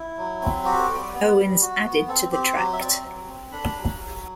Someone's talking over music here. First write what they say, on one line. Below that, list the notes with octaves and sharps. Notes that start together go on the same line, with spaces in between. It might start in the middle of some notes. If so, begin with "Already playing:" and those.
Owens added to the tract.
Already playing: E4
F#3
C4
F#4 G4
G3
B3
G3
F#4
B3
C4 A4
C4 G4
F#3 G4
E5
C4 D5
F#3
C4
D4 B5
F#3
F#3